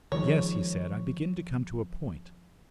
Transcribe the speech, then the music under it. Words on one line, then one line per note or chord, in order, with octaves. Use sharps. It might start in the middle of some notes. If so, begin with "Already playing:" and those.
'Yes,' he said, 'I begin to come to a point.
D#3 F3 G#3 C#5